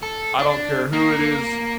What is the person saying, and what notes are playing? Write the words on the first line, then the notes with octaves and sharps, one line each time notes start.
I don't care who it is,
A4
D4
A#3